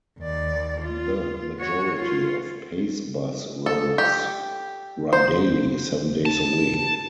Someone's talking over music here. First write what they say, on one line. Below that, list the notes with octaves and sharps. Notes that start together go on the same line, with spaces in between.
The majority of Pace bus routes run daily, seven days a week.
D#2 D5
F4
F#4 C#5
F4
A4
G4
C5
A5